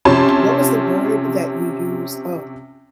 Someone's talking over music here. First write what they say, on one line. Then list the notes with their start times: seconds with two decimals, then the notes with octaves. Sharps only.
what was the word that you used? Oh
0.05 C3 F3 C#4 C#5 A5 C6